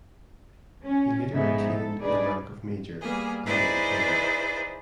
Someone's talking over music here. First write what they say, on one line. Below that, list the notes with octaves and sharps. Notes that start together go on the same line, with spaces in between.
He later attained the rank of Major, and then Colonel.
C#4
G#2 F3 B3 D#4 G#4 E5
A4
D4 D#4 G#4 B4 D5
G3 A#3 B3 G#4
D#4 E4 G#4 B4 C5 D5